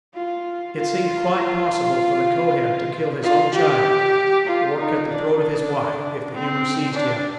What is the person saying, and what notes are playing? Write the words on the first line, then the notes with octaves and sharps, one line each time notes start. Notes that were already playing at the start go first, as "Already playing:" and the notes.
It seemed quite possible for the Kohen to kill his own child, or cut the throat of his wife, if the humor seized him.
F4
F4
F4
F4
G4
F4
D#4
D4
C4
D4